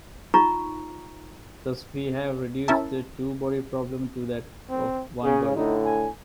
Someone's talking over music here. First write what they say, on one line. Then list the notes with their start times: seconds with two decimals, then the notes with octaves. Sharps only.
Thus we have reduced the two-body problem to that of one body.
0.34 D#4 F4 A#5 C#6
2.68 C#4 E4 A#4 E5 A5
4.70 C4
5.24 C#3 G#4
5.56 A2 D3 D#4
5.85 G#5